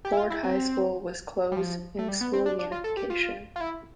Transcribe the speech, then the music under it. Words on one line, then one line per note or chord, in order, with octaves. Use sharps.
Ford High School was closed in school unification.
G4
E4
F4
E4
C4
G3
F3
A3
G3
B3
C4
D4
D4
F4
A4
G4
F4
F4
E4